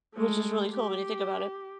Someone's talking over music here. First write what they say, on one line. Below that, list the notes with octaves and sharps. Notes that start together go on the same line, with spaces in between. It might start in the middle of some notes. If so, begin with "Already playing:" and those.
Which is really cool when you think about it.
G#3 A3
G4